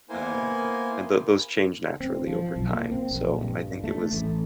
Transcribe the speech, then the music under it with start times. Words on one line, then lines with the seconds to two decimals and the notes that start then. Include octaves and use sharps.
um, and those those change naturally over time, so I think it was
0.09 A#3 B3 E4 A#4 C5 G#5
2.00 C4
2.28 F3
2.56 B1
2.71 A#3
2.91 C4
3.11 A#1
3.42 G2
3.84 A3
4.13 A1